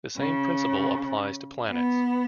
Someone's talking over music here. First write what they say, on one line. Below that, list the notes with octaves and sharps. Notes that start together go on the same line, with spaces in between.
The same principle applies to planets.
C#3
B3